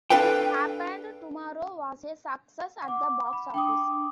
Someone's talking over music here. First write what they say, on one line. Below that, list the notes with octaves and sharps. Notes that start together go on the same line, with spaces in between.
"It Happened Tomorrow" was a success at the box office.
D4 A4 B4 F5 G5
F#5 D6
B5
D4 G5 D6 D#6